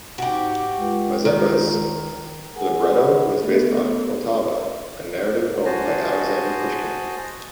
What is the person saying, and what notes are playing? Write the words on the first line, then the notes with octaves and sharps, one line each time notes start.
"Mazeppa"'s libretto was based on "Poltava", a narrative poem by Alexander Pushkin.
G#2 F#4 G4
C#2
D#3
G#4 A#4 F#5 G#5
G#4 F#5 B5
A3 B3 C#4 A4 D#5 E5
F#4 C5 D#5 G#5 A5